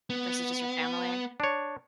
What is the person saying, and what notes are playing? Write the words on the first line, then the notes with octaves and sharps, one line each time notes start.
versus just your family?
B3
D4 C#5